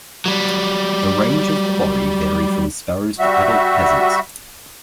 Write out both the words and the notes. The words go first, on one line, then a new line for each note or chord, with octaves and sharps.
The range of quarry vary from sparrows to adult pheasants.
F#3 G3
G3 F#4 E5